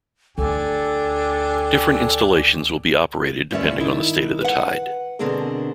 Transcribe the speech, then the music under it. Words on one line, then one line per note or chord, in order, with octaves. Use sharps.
Different installations will be operated depending on the state of the tide.
D2 D3 D4 G4 A4 G#5
D#2 A2 C#4 D5 E5
D#3 E4
B4 F#5
B2 D3 C4 D4 G#4 A#4